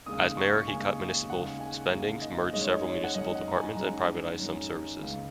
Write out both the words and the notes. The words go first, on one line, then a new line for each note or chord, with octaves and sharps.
As mayor, he cut municipal spending, merged several municipal departments and privatized some services.
D#2 C#3 G#3 D#6
C#6
D#2 C#3 G#3 G#5
D#2 C#3 G#3 F#5
G#5
D#2 C#3 G#3
D#5
F#2 D#3 G#3 C#4 D#5
C#5
C#5
F#5
F#2 D#3 G#3 C#4 D#5
F#5
A#5
G#5
F#2 D#3 G#3 C#4 A#5
F#2 D#3 G#3 C#4
C#2 C#3 G#3